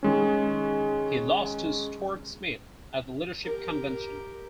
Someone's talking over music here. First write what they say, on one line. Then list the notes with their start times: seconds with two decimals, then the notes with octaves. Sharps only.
He lost to Stuart Smith at the leadership convention.
0.03 D#3 G#3 C#4
3.44 G4 A#4